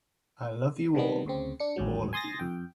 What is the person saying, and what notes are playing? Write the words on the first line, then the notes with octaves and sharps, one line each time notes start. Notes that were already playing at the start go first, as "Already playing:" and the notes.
I love you all, all of you.
C3 D#3 G3 B3
D2 C#3 C4
D4 C#7
A1 D#2 G#2 F#3
G#5 C6 D#6 A6 A#6
F2 G5